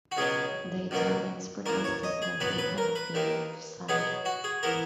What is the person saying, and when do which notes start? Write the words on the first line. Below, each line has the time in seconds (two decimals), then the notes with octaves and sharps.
The Italians protested that he had been off-side.
0.12 F#4
0.17 C#2 B2 F#3 B3 G#4
0.91 C#2 B2 F#3 A#3
1.66 F#2 E3 A#3 A#4
1.84 C#5
2.03 D#5
2.22 G#4
2.40 A#2 F#3 B3 B4
2.58 B4
2.78 A#4
2.95 B4
3.14 D#2 D#3 A#3
3.89 B2 F#3 B3 G#4
4.25 F#4
4.44 G#4
4.63 E3 B3 A#4